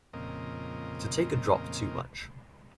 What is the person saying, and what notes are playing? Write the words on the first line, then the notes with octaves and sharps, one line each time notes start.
To take a drop too much.
F2 A#2 C#3 C4 A#4 D#5